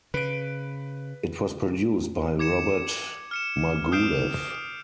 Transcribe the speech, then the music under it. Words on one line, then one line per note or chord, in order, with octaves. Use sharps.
It was produced by Robert Margouleff.
C#3 B4 D7
D6 G#6 C#7 E7
F6 C#7 E7
D#6 F6 G6 C7 D7 E7